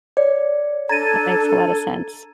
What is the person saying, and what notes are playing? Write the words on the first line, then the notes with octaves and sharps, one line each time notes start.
That makes a lotta sense.
C#5 D5
D4 A4 A#5 G#6 A6 D#7